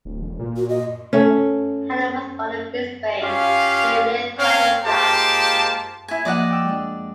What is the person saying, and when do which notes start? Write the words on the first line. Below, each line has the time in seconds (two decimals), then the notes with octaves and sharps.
Hanlon was born in Brisbane, where he lived throughout his life.
0.05 D1
0.21 E1
0.40 A#2
0.57 F#4
0.69 D#5
1.13 A3 C#4
3.22 C#4 F4 G4 F5
4.38 C4 C#4 C#5 F5
4.85 G#3 A#3 F4 G4 C5 A5
6.08 E4 G#5
6.25 F3 A#3 G4 D5 D#5 F#5
6.50 G5 E6
6.65 G#3 D4